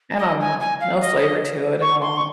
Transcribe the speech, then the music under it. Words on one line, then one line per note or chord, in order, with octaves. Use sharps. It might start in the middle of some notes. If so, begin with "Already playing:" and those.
I don't know, no flavor to it at all.
D#5
G#5
G#5
F5
D#5
D#5
C#6
C6
C#6